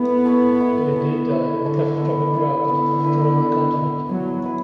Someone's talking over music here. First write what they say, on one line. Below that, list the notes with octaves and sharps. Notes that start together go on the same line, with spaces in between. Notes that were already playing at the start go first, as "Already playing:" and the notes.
They indeed die in the catastrophic drought that is destroying the continent.
Already playing: B3 E4 A4
A4 C#5 E5
E4
A4 C#5 E5
D3 E4
A4 C#5 E5
B3
E4 B4 D5
D3 B3
E4 B4 D5
B3
E4 B4 D5
F#3 B3
E4 B4